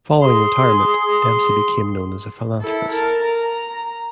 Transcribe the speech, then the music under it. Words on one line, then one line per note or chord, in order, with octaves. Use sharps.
Following retirement, Dempsey became known as a philanthropist.
G#4 C6
E4 A4
A#4 A5
A#5